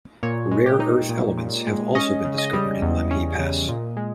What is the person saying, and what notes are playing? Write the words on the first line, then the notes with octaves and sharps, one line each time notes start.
Rare earth elements have also been discovered in Lemhi Pass.
A#2 C#5
G#3
G4
D#4
A#2
A#2
G#3
C#4 D#5
C#3
D#5
G3
E2
C#4
C#3
A#2
G#3